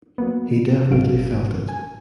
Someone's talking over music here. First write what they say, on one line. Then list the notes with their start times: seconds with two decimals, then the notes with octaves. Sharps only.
He definitely felt it.
0.18 F#3 A#3 B3
0.91 G#1 C#2 B2 F#3 F5 D7
1.69 G#5